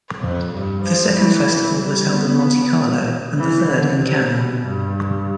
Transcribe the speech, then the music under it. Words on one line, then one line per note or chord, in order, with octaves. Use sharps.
The second festival was held in Monte Carlo, and the third in Cannes.
F2
G2
F3
E3
G3
B3
E3
D3
C3
B2
G2